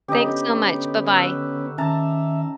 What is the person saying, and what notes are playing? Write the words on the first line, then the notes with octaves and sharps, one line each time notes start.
Thanks so much. Bye bye.
D3 B3 C#4 D#4 G4
C#6 E6 F#6
D#3 C#4 E5 A5 A#5